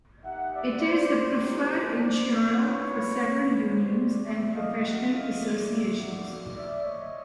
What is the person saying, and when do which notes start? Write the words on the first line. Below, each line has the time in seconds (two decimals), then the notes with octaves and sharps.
It is the preferred insurer for several unions and professional associations.
0.24 A#3 D#4 G4 E5 F#5
0.53 D5 E5
0.81 C5 D5
1.39 A#3 D#4 G4 C5 D5
2.53 B3 D4 F4 B4 C#5
3.68 G3 C4 D#4 G4 C5 D5
4.26 D5 E5
4.54 D#5 F5
4.83 A#3 C#4 F#4 E5 F#5
5.12 D#5 F5
5.40 D5 E5
5.97 A#3 D#4 F#4
6.55 D5 E5
6.83 C#5 D#5